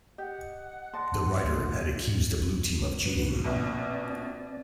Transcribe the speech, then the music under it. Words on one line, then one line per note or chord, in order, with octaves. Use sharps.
The writer had accused the Blue Team of cheating.
G4 D#5 F#5
D5 D#5 A5 C6
D#2 C3
F#4 B4
A#1 B2 C4 D5